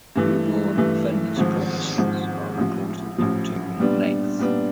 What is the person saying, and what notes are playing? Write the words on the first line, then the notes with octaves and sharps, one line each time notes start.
Newborn finless porpoises are reported to in length.
G2 E3 A3
G2 E3 A3
G#1 G#2 F3
G#1 G#2 F3
A1 A2 F3
A1 A2 F3
A#2 G3 B3 D4
A#2 G3 B3 D4